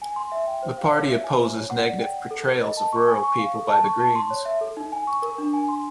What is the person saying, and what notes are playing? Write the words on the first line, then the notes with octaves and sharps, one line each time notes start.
The party opposes negative portrayals of rural people by the Greens.
G#5
C6
E5
G5
C5
F5
C#5
E5
G#5
C5
C#5
F#5
D5
G5
F#5
A4
A#4
D#5
A5
C#6
G#5
C#6
F5
A4
A5
C#6
A5
C6
C#5
E5
A4
D#4
G#5
C#6
A#4
D4
G#5
C6